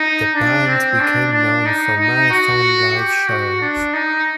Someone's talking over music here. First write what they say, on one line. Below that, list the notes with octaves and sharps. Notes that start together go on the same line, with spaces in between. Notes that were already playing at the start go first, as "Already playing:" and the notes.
The band became known for marathon live shows.
Already playing: D#4
D4
C4
D4
D4
D#4
D#4
F#4
G4
F#4
D4
D#4